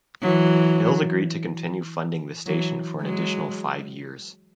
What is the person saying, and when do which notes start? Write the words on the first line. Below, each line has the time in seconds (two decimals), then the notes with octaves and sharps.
Mills agreed to continue funding the station for an additional five years.
0.22 E3 F#3
2.46 E3 F#3
3.02 F#3 G#3